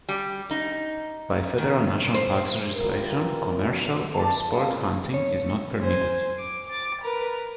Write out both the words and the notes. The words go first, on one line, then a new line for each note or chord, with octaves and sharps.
By federal national parks legislation, commercial or sport hunting is not permitted.
G3
D#4
D#3
C5
E3 G3 B3 F4 A#4
F#2 A#2 D3 E3 F#3
D5 A5
C#2 A#2 C4 F4 G#4 F5
C#5
C5 G#5
D6
D6 A6
A#4 B4